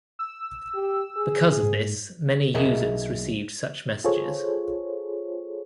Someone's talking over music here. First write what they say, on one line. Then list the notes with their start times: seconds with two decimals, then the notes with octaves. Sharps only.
Because of this, many users received such messages.
0.19 E6
0.74 G4
1.17 G#4
1.63 G#2
2.54 B1 B2 G#4 A#4 D#5 E5
4.04 F4 G#4 A4 C5 C#5